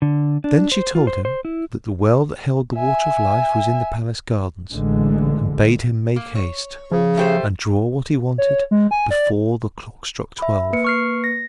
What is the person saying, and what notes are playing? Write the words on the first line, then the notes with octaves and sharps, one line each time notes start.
Then she told him that the well that held the Water of Life was in the palace gardens; and bade him make haste, and draw what he wanted before the clock struck twelve.
D3
D4
C5
F4
C5
C5
E4
E5 G#5
A1 D3 G#3
A#3
C#5
C#3 F3
A3 G4 C5
C#5
G#3
G#5
D5
E5 B5
A#3 B4 C#7
C#6 F6 C7
A#6